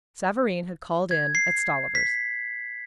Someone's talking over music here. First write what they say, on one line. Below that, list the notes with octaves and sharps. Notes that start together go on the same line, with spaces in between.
Savareen had called in at Stollivers.
G#6
C7
B6